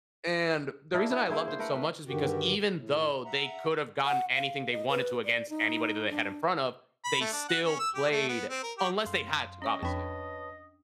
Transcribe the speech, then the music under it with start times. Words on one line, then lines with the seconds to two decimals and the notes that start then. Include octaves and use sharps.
And, the reason I loved it so much is because even though they could’ve gotten anything they wanted to against anybody that they had in front of, they still played unless they had to, obviously,
0.94 A#3 D4 E4 F#4
1.11 E4
1.29 A#3 E4 G#4 C5
1.48 C5
1.59 A3 A#4 B4 F#5
1.75 B4
2.07 G2 D3 D#3 F#4 G4
2.73 A2
3.25 E5 F#5 A#5
4.05 F#5
4.35 F5
4.72 D#5
4.89 B4
5.25 D5
5.49 D#4
6.10 D4
7.05 B5
7.21 A3
7.32 D4
7.49 F#5
7.65 C#4
7.79 E6
7.95 G4
8.11 A3
8.29 B3
8.50 C4
8.63 A#4
8.78 G4
9.06 F#2 F5 C6
9.62 C#4 C#5 D#5 C#6
9.83 F2 D4 B4 C#5 G5 A5